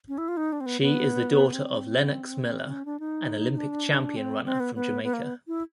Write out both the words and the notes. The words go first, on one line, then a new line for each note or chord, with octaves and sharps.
She is the daughter of Lennox Miller, an Olympic champion runner from Jamaica.
C#4
E4
F4
D#4
D4
C4
B3
B3
C4
C#4
D4
D#4
D4
C4
C4
B3
B3
B3
A#3
B3
E4